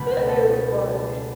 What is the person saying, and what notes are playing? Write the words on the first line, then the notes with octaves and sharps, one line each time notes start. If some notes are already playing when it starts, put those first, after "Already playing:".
That is funny.
Already playing: C#2 B2 A3 B4
A4